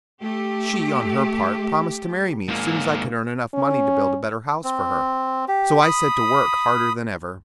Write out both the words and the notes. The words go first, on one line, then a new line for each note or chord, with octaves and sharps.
She, on her part, promised to marry me as soon as I could earn enough money to build a better house for her; so I set to work harder than ever.
A3 G4
G#2 A#3
C#4
C4
G4
B5 D#6